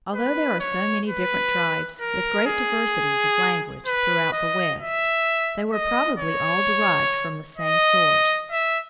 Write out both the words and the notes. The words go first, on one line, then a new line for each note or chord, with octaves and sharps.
Although there are so many different tribes, with great diversities of language, throughout the West, they were probably all derived from the same source.
B4
C#5
B4
A#4
G#4
B4
D#5
E5
D#5
C#5
D#5
E5